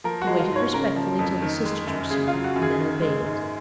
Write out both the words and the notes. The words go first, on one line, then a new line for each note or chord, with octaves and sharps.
He waited respectfully till the sisters were seated, and then obeyed it.
F3 A#4
F#4
G#3
F4
G#2 C#5
C#3 A#4
F3
F2
D#3
G#3
F#2
C#3 G#4
F4
F#3
F#4
F#2
G#4
D#3
G#3
G#2